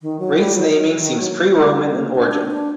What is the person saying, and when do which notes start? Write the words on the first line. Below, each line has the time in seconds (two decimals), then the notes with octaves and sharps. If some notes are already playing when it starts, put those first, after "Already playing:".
Rates naming seems pre-Roman in origin.
0.02 D#3
0.19 F#3
0.37 G3
0.55 F#3
0.73 F#3
0.97 D#3
1.19 F#3
1.43 G3
1.56 A3
1.67 G3
1.90 A#3
2.15 D4
2.31 D4
2.45 C4
2.50 D4